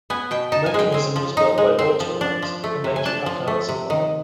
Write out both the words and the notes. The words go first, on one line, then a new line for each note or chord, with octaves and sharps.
The mechanism was built by Auto-Lite, a major Packard supplier.
B3 G#5
B2 G5
D#4 A5
G#5
G#3 G5
C4 G#5
F3
D#4
G#3
C4
F3
D4
F3
A3
C3
G#5
D4 A5
F3
A3
C3
D#3